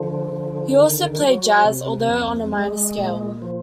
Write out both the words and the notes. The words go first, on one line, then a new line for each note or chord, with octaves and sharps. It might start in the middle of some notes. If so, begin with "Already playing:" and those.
He also played jazz, although on a minor scale.
Already playing: D3 F3
D3
D#3
F#3
C3
F2
G#3
A#2
F3